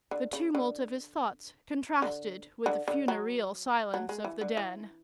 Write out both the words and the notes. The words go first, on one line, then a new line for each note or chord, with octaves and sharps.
The tumult of his thoughts contrasted with the funereal silence of the den.
D3
C#3
D3
D3
D3
D3
F#3
F#3
G#3
E3
D3
E3